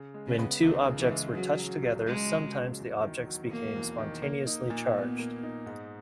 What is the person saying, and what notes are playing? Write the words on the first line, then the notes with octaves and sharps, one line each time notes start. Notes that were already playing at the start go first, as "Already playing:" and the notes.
When two objects were touched together, sometimes the objects became spontaneously charged.
Already playing: C#3
G#3
C#3
B3
C#2 D#3
C#3
E3
G#3
C#3 F#3
F#3
C#2
C#2 G#3
C#3
F#3
E2
D#3
F#3
E1 A#3
E2
D#3
A#3
D#4
A#2
A#2 B3
A#3
D#4
G#2